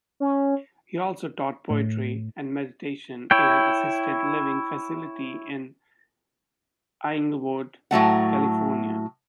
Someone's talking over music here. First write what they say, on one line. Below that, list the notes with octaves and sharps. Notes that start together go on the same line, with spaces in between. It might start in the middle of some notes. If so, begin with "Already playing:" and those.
He also taught poetry and meditation in an assisted-living facility in Inglewood, California.
C#4
A2
E4 C#5 G5
A2 F#3 A3 F#5